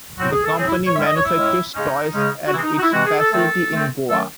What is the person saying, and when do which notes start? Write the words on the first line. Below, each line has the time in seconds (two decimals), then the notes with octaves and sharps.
The company manufactures toys at its facility in Goa.
0.18 A2 F#3 C4 F#4
0.32 G#4
0.45 A4
0.57 A2 F#3 C4 G#4
0.68 E4
0.87 C#5
0.96 A2 G#3 C#4 E5
1.06 D#5
1.16 C#5
1.25 E4
1.36 A2 G#3 C#4
1.75 C#3 G#3 C#4 D#4
2.14 C#3 G#3 C#4
2.47 F#4
2.53 C3 E3 G#3 C4 E4
2.63 D#4
2.73 D#4
2.78 F#4
2.83 E4
2.92 C3 E3 G#3 C4 F#4
3.06 G#4
3.19 A4
3.31 D#3 A3 C4 A4
3.70 D#3 A3 C4
4.10 D#3 F#3 A3 C#4 A4